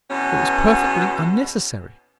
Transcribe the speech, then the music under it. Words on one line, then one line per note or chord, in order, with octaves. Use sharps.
It was perfectly unnecessary.
E2 B2 C#4